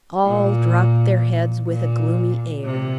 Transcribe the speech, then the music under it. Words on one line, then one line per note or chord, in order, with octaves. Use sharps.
All dropped their heads with a gloomy air.
A#2
A#2
C3